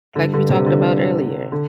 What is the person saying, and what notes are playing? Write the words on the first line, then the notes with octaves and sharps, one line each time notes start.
like we talked about earlier,
G2 D3
D3
C3
D3
D3